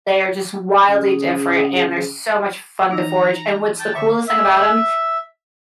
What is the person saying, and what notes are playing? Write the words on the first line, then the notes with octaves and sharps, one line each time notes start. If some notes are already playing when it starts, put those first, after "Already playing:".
They are just wildly different, and they're so much fun to forage, and what's the coolest thing about 'em
C#3 G#4
E3 D#4 A#5
G5 A5
D3 E5 C#6
E5